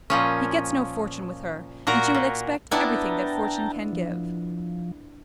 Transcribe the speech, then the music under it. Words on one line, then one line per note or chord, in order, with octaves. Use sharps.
He gets no fortune with her, and she will expect everything that fortune can give.
A#2 F3 C#4
A#2 F#4 A#4 A#5
A#2
B3 D4 E4 G5 A5 A#5
F3